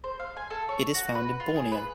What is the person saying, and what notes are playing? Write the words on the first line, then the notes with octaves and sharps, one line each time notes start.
It is found in Borneo.
C5
F5
G#5
A4
C#5
F#4
B4
F4
G#4
B4